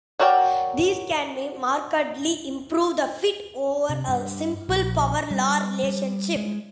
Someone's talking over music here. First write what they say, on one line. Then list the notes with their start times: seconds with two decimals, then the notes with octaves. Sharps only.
This can markedly improve the fit over a simple power-law relationship.
0.20 F#3 F#4 A#4 D5 G5
3.90 C3
4.08 G2
4.69 A#1
5.31 G3
5.84 G3
6.36 G#3